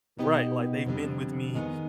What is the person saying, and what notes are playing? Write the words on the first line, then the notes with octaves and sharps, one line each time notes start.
Right, like they've been with me
B2 B3 D#4 G4
F2 D3 G3
D#3 G#3 B3 D#4